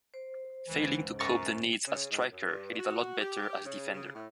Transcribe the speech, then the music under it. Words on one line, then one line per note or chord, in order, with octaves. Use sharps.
Failing to cope the needs as striker, he did a lot better as defender.
C5
C#2 G#2 E3
F#2 A#5 C#6 A6
C#3
G#2
F#2
G2
F#4
G4
C#3
C#3
A2